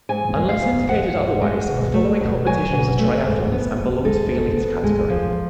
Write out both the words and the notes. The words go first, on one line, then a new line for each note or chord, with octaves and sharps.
Unless indicated otherwise, the following competitions are triathlons and belong to the "Elite" category.
G#2 G#5
G#3
F5
G#2
F3 F#5
G#2
G#3
B2
A3
B2
F#3 G#5
B2
A3
G#2
B3
G#2
G#3 A4
G#2
B3
G#3
F3